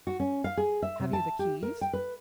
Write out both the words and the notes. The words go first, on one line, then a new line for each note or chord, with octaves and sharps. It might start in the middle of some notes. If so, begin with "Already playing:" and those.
"Have you the keys?"
F#4
C#4
F5
G#4
E5
C3
A5
G4
A#4
G5
B4